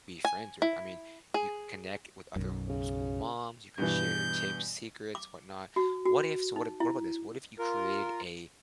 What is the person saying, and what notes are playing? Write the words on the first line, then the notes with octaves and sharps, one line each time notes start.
be friends with. I mean, you can connect with other homeschooled moms, you can share tips, secrets, whatnot. What if so, what if what about this? What if you create a
G#5
E4
G#4
B1 F#2
C#3
G2 B2 E3 G6
D6
F#4
F#4
D#4
E4
F4 A#4